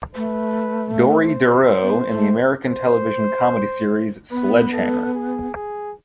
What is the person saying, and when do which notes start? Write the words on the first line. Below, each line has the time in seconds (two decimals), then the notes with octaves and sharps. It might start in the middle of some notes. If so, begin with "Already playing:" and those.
Dori Doreau in the American television comedy series Sledge Hammer!
0.15 A3 B4
0.99 C5
1.82 B3
2.10 A3
2.65 C5
4.31 B3 B4
4.72 A4
5.15 G#4
5.55 G#4